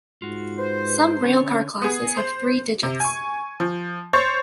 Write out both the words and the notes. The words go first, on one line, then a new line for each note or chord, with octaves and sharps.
Some railcar classes have three digits.
G#2 F4 F#4
B4 C5
D3 C#4 C#5
B3 G#4
C5
C3
G#5 C#6
F3
C5 C#5 C#6 G6 A6